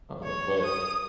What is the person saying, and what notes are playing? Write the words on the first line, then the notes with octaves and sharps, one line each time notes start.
uh, but
C#5
D#6